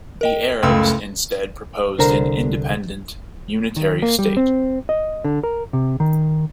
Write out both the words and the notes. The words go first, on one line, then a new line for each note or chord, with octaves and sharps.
The Arabs instead proposed an independent unitary state.
A#4 D#5 G5
F#1 C#2 A3 G5 C6 E6
C2 D3 A#4 C5 A#5
D#3
A#3
G3
C4
D#5
D3
A#4
C3
D#3